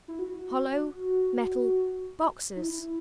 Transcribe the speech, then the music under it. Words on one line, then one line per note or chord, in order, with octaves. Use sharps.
Hollow metal--boxes!
E4
F#4
D#4
E4